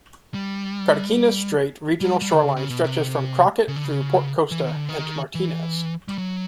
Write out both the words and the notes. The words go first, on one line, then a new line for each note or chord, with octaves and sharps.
Carquinez Strait Regional Shoreline stretches from Crockett through Port Costa and to Martinez.
G3
G3
G3
D3
C#3
C#3
B2
C3
C#3
D3
C#3
E3
D#3
D3
D#3
E3
G3
F#3